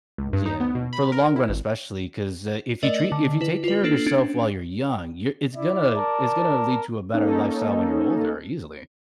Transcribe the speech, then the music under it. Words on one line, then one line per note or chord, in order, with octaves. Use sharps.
Yeah, for the long run, especially, 'cause, uh, if you treat if you take care of yourself while you're young, you're it's gonna it's gonna lead to a better lifestyle when you're older, easily.
C#2
G2
D#4
B3
B2
B5
A#4
E4
G#1
A3 A#4 D5 D#5 F#7
D3
E4 B4
F4 B4
A#3 D4 A4 C7 F#7
C#4 D4
E4 D5
A#4 A5
A#3 C#4 D#4 A4